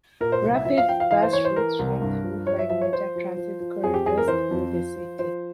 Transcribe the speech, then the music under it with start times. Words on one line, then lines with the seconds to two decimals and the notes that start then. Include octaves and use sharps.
Rapid bus routes run through five major transit corridors through the city.
0.21 A#2 A#4
0.32 C5
0.43 C2
0.55 E5
0.65 F3 E5
0.78 F5
0.89 F3 G5
1.00 F5
1.11 E3 F5
1.22 C5
1.33 E3 C#5
1.45 C5
1.56 E3 A#4
1.79 C2
2.02 G2
2.24 F3
2.46 F3 C#5
2.59 E5
2.70 F3 E5
2.81 C#5
2.93 F3 C5
3.16 F3
3.37 F3
3.60 F3
3.83 F2 G#4
3.94 G4
4.05 F2 G#4
4.18 A#4
4.28 E3 C5
4.51 F2
4.74 F3
4.96 F3
5.19 F3 C5